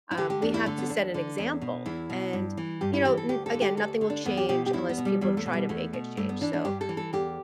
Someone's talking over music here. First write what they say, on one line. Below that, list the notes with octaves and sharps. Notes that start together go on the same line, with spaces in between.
um, we have to set an example, and, you know, n again, nothing will change unless people try to make a change. So,
E4
D3 G4
G4
E2 D4
E4
D3 A3
B3
E2 D4
D3
E2
B2
E2 E4
B2
G2
E3
G2 G4
E4
E3 G4
A4
D2 G4
A4
D3
G4
D2 A4
D3
D4
E2 B3
G4
B2 G4
G4
E2 E4
B3
B2
G3
E2 G3
A3
B2
G3
E2 A3
B2
G2 A3
B3
E3 D4
D4
G2 G4
A4
E3
A4
E2 G4